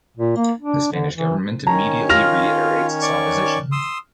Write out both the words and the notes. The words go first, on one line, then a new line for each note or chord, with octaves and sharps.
The Spanish government immediately reiterates its opposition.
A#2
A#3
D4
D3
E3
D#3 C#4 C#5 A#5
F4 F6 A#6 F7
D5 C#6
C6 D#6 E6